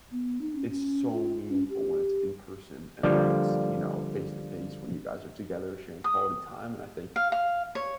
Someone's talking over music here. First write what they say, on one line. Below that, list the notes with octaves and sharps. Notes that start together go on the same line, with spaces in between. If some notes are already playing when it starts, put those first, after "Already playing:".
it's so meaningful when it's in-person, and when it's, you know, face-to-face, when you guys are together sharing quality time, and I think,
B3
D#4
C#4
C#4
F4
C#4
G4
D3 F3 G3 A#3
D#6
F5
F5
C#5